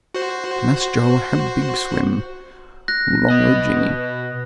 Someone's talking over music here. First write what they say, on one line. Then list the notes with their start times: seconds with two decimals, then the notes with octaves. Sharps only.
Mass Joe hab big swim 'long o' Jimmy.
0.14 F#4 C5
2.88 F#6 A#6
3.30 B2 D#5